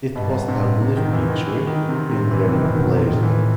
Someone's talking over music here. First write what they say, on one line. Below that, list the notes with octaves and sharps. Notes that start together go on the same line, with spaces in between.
It was heavily featured in their compilations.
G2 B2
A2 C3
C3
D#3
E3
D#3
E3
D#3
C3
A2 C3
E3
C3
E3
D#3
B2 D#3
C3
A2 D#3
E3